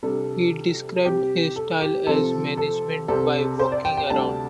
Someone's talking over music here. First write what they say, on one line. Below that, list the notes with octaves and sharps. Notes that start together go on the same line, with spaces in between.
He described his style as management by walking around.
C3 G3 D4 A4
C3 G3 C4 G4
A4
G4
C3 F3 C4 A4
A4
C2 C3 G3 C4 A4
C5
D5
G5
G5
D2 C3 G3 D4 A5